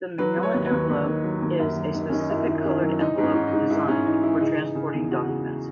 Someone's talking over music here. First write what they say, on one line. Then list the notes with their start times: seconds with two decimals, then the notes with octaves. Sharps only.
The manila envelope is a specific colored envelope designed for transporting documents.
0.18 F#3 B4
0.36 F#3
0.43 C#5
0.54 D#2
0.66 B4
0.71 D#2
0.90 D#2
1.07 D#3
1.24 F#3
1.42 D#2
1.59 F#2
1.76 F#3
1.95 D#3
2.10 D#3 C#4
2.19 D#4
2.30 F#2 E4
2.47 D#3
2.65 D#3 C#4
2.82 F#3
3.00 E3 D#4
3.18 G#2
3.23 C#4
3.35 G#2
3.47 D#4
3.53 G#2
3.70 G#2 E4
3.88 G#2 C#4
4.06 E3 D#4
4.23 E3 E4
4.41 C#3 D#4
4.58 E3
4.75 C#3
4.93 E2
5.11 C#3 F#4
5.28 C#3